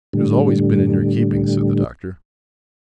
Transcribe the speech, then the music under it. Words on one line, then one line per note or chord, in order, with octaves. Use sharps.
"It has always been in your keeping," said the Doctor.
A2 D3 G3